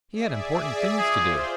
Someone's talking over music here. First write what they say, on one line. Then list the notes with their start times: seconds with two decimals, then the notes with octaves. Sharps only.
He had important things to do.
0.12 G#4 D5 E5
0.99 F4 G#4 C5